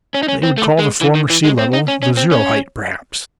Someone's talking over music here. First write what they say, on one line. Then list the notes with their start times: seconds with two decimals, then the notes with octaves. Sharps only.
They would call the former sea-level the zero-height, perhaps.
0.14 C#4
0.23 D#4
0.28 C#4
0.43 C4
0.58 A3
0.79 G#3
1.01 E3
1.15 D#3
1.30 E3
1.44 G#3
1.59 C4
1.73 D#4
1.88 C#4
2.03 C#4
2.17 C4
2.31 C#4